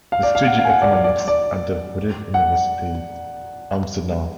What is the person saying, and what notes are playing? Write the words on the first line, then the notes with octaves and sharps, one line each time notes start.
He studied economics at the Vrije Universiteit Amsterdam.
F5
D5
F5
F#5
F5
G#5
F#5
D5
D5
D5
D5
F#5